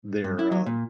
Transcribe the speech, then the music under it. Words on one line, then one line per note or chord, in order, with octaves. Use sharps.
they're um
G2
E4
F#3
A#2